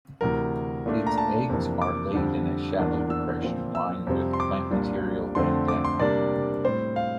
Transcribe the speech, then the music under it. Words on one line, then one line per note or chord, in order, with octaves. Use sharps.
Its eggs are laid in a shallow depression lined with plant material and down.
D2 C3 E3 A#4
A#2 A3 D4
A#5
A5
F2 C3 E3 A#3 D4
D6
F2 D3 G3 D4
E2 E3 A#3 D4
E6
A#2 F3 C4
E6
F2 C3 G3 C4
C6
D6
C2 A#2 G3 D4
F2 D3 A3 C4 C6
D6
C6
C3 G3 A#3 D4 D5
A2 G3 C4 C5
F5